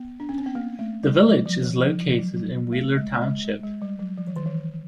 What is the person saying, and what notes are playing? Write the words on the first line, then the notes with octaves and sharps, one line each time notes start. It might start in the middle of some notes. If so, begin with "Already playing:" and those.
The village is located in Wheeler Township.
Already playing: B3
D4
C#4
C4
B3
A#3
A3
G3
F#3
F3
E3
F3
F3
F#3
F#3
A3
G#3
G#3
G#3
G#3
G3
F#3
F3
E3
D#3
E3